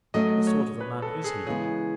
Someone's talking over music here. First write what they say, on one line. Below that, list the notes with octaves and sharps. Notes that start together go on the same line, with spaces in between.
"What sort of a man is he?"
F#3 A3 C#4 D#5
C#5
B4
A4
G#4
C#3 E3 G#3 B3 G#4